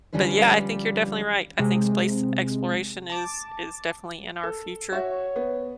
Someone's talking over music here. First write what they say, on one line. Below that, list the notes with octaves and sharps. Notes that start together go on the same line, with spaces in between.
But, yeah, I think you're definitely right. I think space exploration is is definitely in our future,
D3 F3 G3 C#4 D4 B4
C3 G#3 C4
A5 D6
A4
F#4 C#5 E5
B3